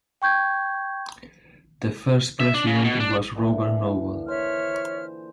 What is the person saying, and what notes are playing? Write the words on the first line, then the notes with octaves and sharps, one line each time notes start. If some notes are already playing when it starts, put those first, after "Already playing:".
The first President was Robert Noble.
G5 C#6 G6 G#6
E5
D4
C#3
B2
D4
A#2 D3 E3
C5 C#5 E5 F6